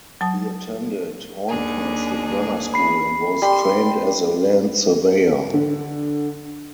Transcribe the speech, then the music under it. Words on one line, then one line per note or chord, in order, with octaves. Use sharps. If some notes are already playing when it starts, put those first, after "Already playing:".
He attended Horncastle Grammar School and was trained as a land surveyor.
F#3 A5 D#6
D#2 D4 G#4
B5 C7
G3 C6
D3